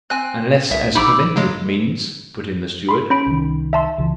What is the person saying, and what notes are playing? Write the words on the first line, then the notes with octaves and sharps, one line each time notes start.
"Unless as preventive means," put in the steward.
C4 G#5 F#6
C2 E5
A#1 D#4 B5 D6 E6
C#3 F#3 G#3
B5 C6
C#4 B5 D7
C2 D#3
E5 A5 C6
C#2 E3